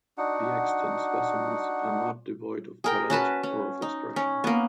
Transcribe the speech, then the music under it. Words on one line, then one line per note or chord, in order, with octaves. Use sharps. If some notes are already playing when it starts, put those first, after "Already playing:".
The extant specimens are not devoid of talent or of expression.
D4 D#4 F#4 F#5
G#4 A#4 G5
C#4 F#4 B4 A5
C#4
D#4
C#4
A#3 B3